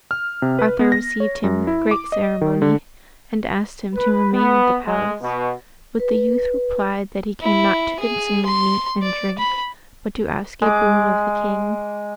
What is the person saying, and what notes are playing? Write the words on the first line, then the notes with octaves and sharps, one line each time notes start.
Arthur received him with great ceremony, and asked him to remain at the palace; but the youth replied that he came not to consume meat and drink, but to ask a boon of the king.
F6
C3
B4
B3
A#6
C#5
F#2
E4
D6
D#5
D#3
D3
B4
B3
G#3
B2
B4
E4
G#4
C6
D5
B5
G#3 D6